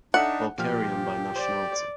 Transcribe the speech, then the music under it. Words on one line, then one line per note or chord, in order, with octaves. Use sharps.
Balkarian by nationality.
D4 D#4 A4 D5 E5 F#5
A#2 F3 G4 F6
C5 D5